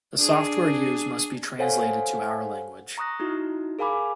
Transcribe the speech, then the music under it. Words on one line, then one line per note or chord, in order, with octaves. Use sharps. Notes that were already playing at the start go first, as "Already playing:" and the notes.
The software used must be translated to our language.
D4 G#4
A4 C5 C#5 F5 F#5 G#5
A#5 C#6 D#6 F#6 A#6
D#4 E4 F#4
G#4 A#4 F5 G#5 B5 D6